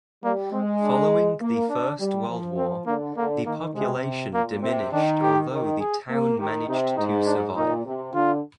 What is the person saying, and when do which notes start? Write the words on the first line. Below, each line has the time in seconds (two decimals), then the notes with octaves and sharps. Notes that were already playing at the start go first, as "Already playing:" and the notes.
Following the First World War, the population diminished although the town managed to survive.
0.24 G3 A#3
0.53 G#3 C4
0.82 D4
1.41 A#3
1.69 D4
1.99 G3
2.29 F3
2.58 C4
2.86 D3 A#3
3.16 D3 A#3
3.46 D#3 A#3
3.75 C3 G#3
4.34 A#2 A#3
4.63 C3 C4
4.92 D#3 D4
5.22 G4
5.51 D#3
5.80 G#4
6.10 A#3
6.38 D#3 G4
6.68 C3 D#4
6.97 G#2 D#4
7.27 D4
7.56 A#2 D#4
7.85 C3
8.14 D3 F4